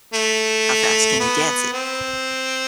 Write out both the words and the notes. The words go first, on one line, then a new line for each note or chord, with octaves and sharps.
How fast can you dance it?
A3
B3
C4